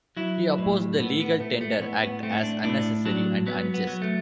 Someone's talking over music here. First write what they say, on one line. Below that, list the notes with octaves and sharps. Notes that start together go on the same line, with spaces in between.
He opposed the Legal Tender Act as unnecessary and unjust.
F#3 E4
A2
A2 B3
B3
A2 A3
A3
A2 B3
B3
A3 C4
D4
A2 D4
F#3 D4
F#3 B3
B3
F#3
A3